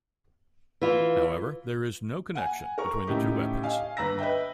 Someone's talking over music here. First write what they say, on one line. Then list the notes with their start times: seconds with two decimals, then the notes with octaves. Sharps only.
However, there is no connection between the two weapons.
0.81 E3 F4
2.35 F#5 G#5
2.78 A#4 C#6
3.07 A2 C#3 D#4 G4
3.63 D#5 F5 G#5
3.97 G1 B4 A#5 E6 A#6
4.19 B4 D#5 E5 G5